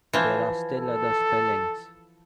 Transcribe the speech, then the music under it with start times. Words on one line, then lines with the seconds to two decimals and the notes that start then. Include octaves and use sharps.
There are still other spellings.
0.13 E3 F3
0.78 A4